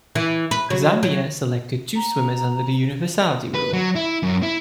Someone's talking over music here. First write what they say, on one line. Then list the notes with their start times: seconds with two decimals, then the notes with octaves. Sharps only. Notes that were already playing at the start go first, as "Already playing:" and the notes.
Zambia selected two swimmers under the Universality rule.
0.15 E3
0.51 B4
0.70 F#3
1.03 F#3
1.95 A#5
3.55 B4
3.73 F#3
3.96 E4
4.23 F#2
4.43 E4